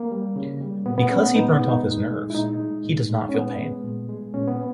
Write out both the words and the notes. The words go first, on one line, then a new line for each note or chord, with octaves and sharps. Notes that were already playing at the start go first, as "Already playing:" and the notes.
Because he burnt off his nerves, he does not feel pain.
Already playing: A#3
G3
C#3
G3
A#2 B3
B3
G#3 C#4
B3
A#2 D#4
B3
G#3
D#4
A#2
G#3
E4
A#2 D#4
G#3
A#2
G#3
C#4
A#2 B3
G#3
A#2
G#3
A#2 C#4
B3